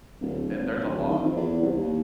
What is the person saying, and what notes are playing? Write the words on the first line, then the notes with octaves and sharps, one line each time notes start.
Eh, there's a lot.
D1
G#1
D1
D#3
F2
E2
C2
D#2